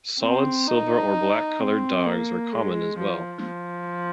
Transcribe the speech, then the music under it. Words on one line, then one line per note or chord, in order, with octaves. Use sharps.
Solid silver or black coloured dogs are common as well.
C4
D#4
C4
A#3
G#3
F3
F3